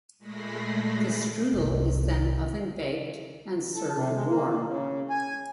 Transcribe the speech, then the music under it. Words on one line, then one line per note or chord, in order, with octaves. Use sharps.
The strudel is then oven baked, and served warm.
A#2 G#3 A3 B5 A#6 C7
F#1 C2
A4
C3
G#3
A#3
A#3
C#3
G#5